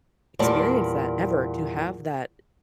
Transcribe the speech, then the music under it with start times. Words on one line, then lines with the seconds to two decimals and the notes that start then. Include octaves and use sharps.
experience that, ever, to have that
0.39 E2 A#2 G3 D5 A5